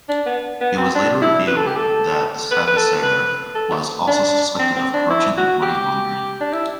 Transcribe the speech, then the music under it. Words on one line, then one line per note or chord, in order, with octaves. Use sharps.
It was later revealed that Savisaar was also suspected of corruption and money laundering.
D4
B3
B3
C4
D4
E4
B4
A4
G4
A4
B4
B4
A4
B4
A4
D4
C4
C4
D4
E4
F#4
G4
D4
E4